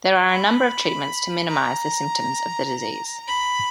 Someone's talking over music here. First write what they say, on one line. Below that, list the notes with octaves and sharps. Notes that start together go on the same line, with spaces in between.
There are a number of treatments to minimize the symptoms of the disease.
B5
A#5
B5